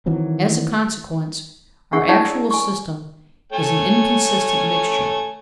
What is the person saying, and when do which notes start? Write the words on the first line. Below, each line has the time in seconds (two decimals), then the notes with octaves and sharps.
As a consequence, our actual system is an inconsistent mixture.
0.06 D#3 E3 F#3 C4
1.93 D4 G#4 F#5 C#6
2.09 E4 C#5 D5 A5 C#6
2.25 E6
2.51 G#5 C#6
3.52 A3 C#5 G#5